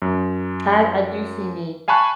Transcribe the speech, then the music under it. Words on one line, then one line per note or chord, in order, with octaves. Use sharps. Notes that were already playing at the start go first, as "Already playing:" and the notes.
I I do see me,
F#2
F5 G#5 A5 B5 C#6 F#6